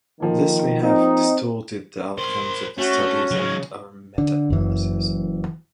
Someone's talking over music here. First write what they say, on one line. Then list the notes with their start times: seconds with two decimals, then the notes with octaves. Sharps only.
This may have distorted the outcomes of the studies and our meta-analysis.
0.20 D#3 F3 A#3
0.83 C4 D#4
2.18 A#4 C5 C6
2.78 A3 C#4 F#4
3.31 C#3 F#3 G#3
4.18 D3
4.50 F#1 F#2 E3